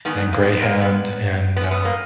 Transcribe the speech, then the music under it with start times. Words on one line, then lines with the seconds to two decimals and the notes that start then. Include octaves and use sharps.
and Greyhound and, uh,
0.05 G#2 D#3 B3
0.33 A#3
0.43 B3
0.62 A#3
0.81 B3
1.56 B3
1.63 C#4
1.71 B3
1.85 A#3